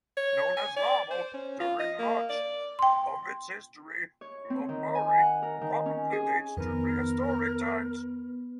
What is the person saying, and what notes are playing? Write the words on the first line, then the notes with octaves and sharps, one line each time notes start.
Known as Lavo during much of its history, Lopburi probably dates to prehistoric times.
C#5
G#5
D5
C5
C#4
F4
D#5
A#3
D5
G5 C6
C#5
C4
D#3
G#5
F#5
A#4
D#3
C#4
G#4
F2 D#3 B3 A#4 B4